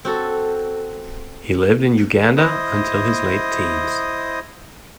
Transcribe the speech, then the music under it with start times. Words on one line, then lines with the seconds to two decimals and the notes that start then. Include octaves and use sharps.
He lived in Uganda until his late teens.
0.05 C4 F#4 A4
2.37 E4 C5 D#5 D#6